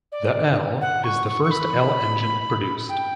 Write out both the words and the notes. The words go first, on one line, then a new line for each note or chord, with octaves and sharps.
The L is the first L engine produced.
D5
F#5
C#6
C#6
C#6
B5
G5